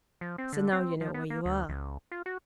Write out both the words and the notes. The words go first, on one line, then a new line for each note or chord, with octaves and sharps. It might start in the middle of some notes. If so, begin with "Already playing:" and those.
So now you know where you are.'
F3
C4
D3
C4
F3
B3
A#3
D2
C#2
F4
F#4